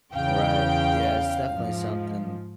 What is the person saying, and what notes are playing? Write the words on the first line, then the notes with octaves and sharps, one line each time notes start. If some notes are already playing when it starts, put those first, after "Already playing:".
Right. Yeah. It's definitely something
E2 C#3 F5 G5
G#2 F3